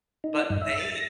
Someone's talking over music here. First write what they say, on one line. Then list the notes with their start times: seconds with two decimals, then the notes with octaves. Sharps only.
but they
0.24 D#4
0.50 G2
0.61 E5
0.80 A6
0.95 A#6